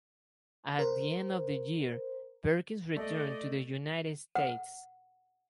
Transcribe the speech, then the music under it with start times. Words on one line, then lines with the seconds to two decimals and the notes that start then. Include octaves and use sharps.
At the end of the year "Perkins" returned to the United States.
0.79 A#4 C5
2.96 A3 D5 D#5
4.35 F#5